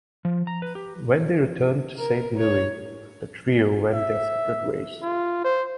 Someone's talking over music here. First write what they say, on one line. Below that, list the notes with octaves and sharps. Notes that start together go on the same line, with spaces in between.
When they returned to Saint Louis the trio went their separate ways.
F3
A#5
B4
G4
A#4
C#5
E5
F4
C5